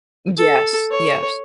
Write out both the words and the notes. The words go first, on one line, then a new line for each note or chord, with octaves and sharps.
Yes, yes.
A4
C#5